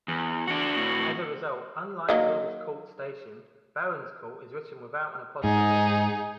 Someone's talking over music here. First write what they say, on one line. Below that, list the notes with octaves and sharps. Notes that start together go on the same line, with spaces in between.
As a result, unlike Earl's Court station, Barons Court is written without an apostrophe.
E2
D4 F#4
A2 F#4
D#3 F#3 A#3
G#2 D#4 G#4